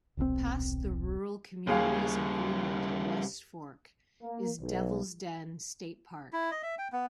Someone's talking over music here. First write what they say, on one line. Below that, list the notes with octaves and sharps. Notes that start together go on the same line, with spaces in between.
Past the rural communities of Greenland and West Fork is Devil's Den State Park.
D#1 B1 C3 C4
D#2 C#3 G3 G#4 F5
A#3
B1
E4
D#5
E5
G5
B3